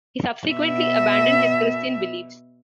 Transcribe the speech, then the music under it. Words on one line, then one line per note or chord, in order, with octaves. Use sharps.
He subsequently abandoned his Christian beliefs.
B2 E5